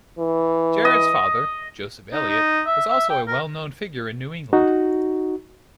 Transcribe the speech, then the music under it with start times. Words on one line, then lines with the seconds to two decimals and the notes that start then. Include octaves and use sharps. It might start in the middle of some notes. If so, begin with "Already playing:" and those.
Jared's father, Joseph Eliot, was also a well-known figure in New England.
0.19 E3
0.85 D#5
2.13 D#4
2.29 D#4
2.66 E5
2.90 E5
3.10 G5
3.28 A#4
4.53 D#4 F#4